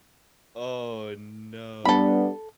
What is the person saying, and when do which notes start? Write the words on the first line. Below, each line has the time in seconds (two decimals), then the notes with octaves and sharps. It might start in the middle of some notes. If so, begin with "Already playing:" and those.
Oh, no.
1.85 G3 B3 D4 A4 B5